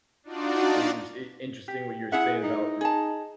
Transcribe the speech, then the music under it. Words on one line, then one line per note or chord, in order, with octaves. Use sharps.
It it was i interesting what you were saying about,
D4 D#4 F4 F#4 D5
G4
E4 G#4 E5 F#5
D#4
G#4 A5